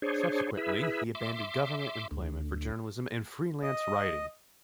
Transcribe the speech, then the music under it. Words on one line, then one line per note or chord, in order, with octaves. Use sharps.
Subsequently he abandoned government employment for journalism and freelance writing.
D4 G#4 C5 C#5
E4 G#4 B4 E5
E5 C6 D6
D2
D#5